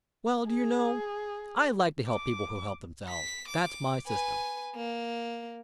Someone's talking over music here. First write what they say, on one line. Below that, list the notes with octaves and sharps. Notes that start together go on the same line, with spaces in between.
"Well, do you know, I like to help people who help themselves--that's my system."
G#4
D6
B6
D6
B4 G#5
A#3